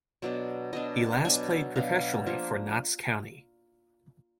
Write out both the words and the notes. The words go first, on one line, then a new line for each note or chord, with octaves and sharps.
He last played professionally for Notts County.
B2 F#3 D4 D5
B2 F#3 D4 D#5
B2 F#3 D4 G#5
B2 F#3 D4 F5
F3 A#3 D4